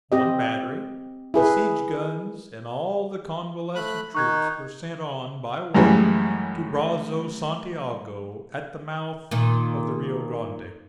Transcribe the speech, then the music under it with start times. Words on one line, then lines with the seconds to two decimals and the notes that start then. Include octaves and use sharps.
One battery, the siege guns and all the convalescent troops were sent on by water to Brazos Santiago, at the mouth of the Rio Grande.
0.12 C4 G4 D#5
1.34 E4 G#4 B4
3.75 A3 B5 F#6
4.15 D#3 D#4 C#6 F#6 G#6
5.74 F#2 A2 E3 G3 G#3
9.31 A#2 D#3